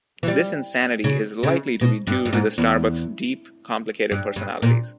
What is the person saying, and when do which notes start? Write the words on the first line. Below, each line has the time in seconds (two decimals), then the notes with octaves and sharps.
This insanity is likely to be due to the Starbucks' deep, complicated personalities.
0.23 E3
0.28 G3
1.04 C#3
1.43 C#3
1.81 B2
2.07 G2
2.25 G2
2.33 G#2
2.58 E2
4.11 G2
4.36 G2
4.62 A#2